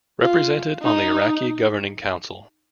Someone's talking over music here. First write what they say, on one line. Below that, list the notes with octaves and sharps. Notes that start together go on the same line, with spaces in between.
Represented on the Iraqi Governing Council.
F4
D#4